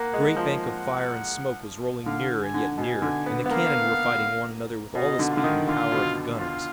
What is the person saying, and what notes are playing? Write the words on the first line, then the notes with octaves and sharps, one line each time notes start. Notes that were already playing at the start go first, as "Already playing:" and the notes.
The great bank of fire and smoke was rolling nearer and yet nearer, and the cannon were fighting one another with all the speed and power of the gunners.
Already playing: A#3 F#5
G#3
F3
F#5
D3 F5
G#5
D3
B2 G#5
D3
B3
B3
A#3 F5
B2 D#5
D3
F4
D3
D#3
D3 F4
B2
F4